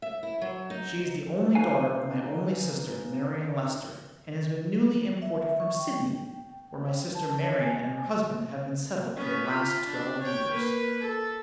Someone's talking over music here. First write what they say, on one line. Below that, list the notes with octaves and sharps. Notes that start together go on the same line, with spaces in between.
She is the only daughter of my only sister, Marian Lester, and has been newly imported from Sydney, where my sister Marian and her husband have been settled for the last twelve years.
E5
E4
F#3
D#4
D#4 B4 F5 G#5
E5
C#6
G5
A5
C#5
G#5
B3 C#4
F4 B5
D4
C#5 G5
A#3 B4
A4